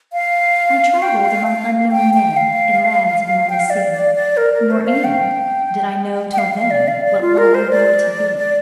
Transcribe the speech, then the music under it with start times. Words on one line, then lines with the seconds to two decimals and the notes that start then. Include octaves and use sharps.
I travell'd among unknown men In lands beyond the sea; Nor, England! did I know till then What love I bore to thee.
0.13 F5
1.02 G5
1.25 F5
1.47 F5
1.92 G5
2.14 G5
2.37 F5
3.50 G5
3.60 F5
3.70 D5
3.92 D5
4.15 D5
4.37 A#4
4.53 A#4
4.71 C5
4.87 F5
5.04 G5
6.33 G5
6.38 F5
6.54 F5
6.71 D5
6.88 F5
7.05 D5
7.21 F4
7.38 A#4
7.55 C5
7.71 D5
8.38 D5